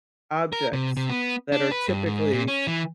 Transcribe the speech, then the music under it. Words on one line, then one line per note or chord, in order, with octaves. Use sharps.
objects that are typically
A#4
C3
C3
B3
D4
B4
G2
G#2
A#2
C#4
E3